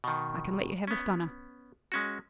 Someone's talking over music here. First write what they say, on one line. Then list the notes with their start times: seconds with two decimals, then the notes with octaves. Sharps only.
I can let you have a stunner.'
0.04 B2 D#3
0.87 B3 C#4
1.92 G#3 C#4 F#4